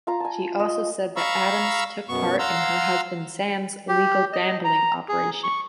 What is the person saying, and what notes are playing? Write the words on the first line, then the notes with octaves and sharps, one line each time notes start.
She also said that Adams took part in her husband Sam's illegal gambling operation.
F4 F5 A#5
G#5 A5
D#5
F5 A#5 B5 C#6 E6
F#2 B2 B3 C#6
F5 F#5 A#5 C6 E6
G4
D#5
A#5
G#4
C#6